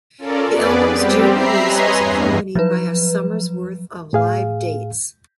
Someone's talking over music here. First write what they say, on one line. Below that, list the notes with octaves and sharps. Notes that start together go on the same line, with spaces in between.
The album's June release was accompanied by a summer's worth of live dates.
C#4 F4 A4 A#4 D5
F2 B3 G#4 B4 D5
G3 C4 G4
E5 A#5 B5 C7
B4 C#5 D#5 G#5 A#5 C6
E2 G2
F3 F#3 B4
A2 G#4 F5